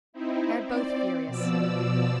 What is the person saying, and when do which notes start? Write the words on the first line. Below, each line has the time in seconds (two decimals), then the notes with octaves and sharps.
They are both furious.
0.13 C4 D#4 E4
0.64 C4 D5
1.26 B2 F3 D5 E6